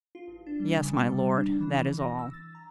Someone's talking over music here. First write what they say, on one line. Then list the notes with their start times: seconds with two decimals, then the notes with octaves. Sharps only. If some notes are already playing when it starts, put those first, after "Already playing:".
"Yes, my lord; that is all."
0.15 F4
0.27 A1
0.46 D4
0.60 G3
0.77 C#3
1.01 G3
1.37 D4
1.60 E3
1.99 A#6
2.19 E6
2.33 A6
2.55 A#5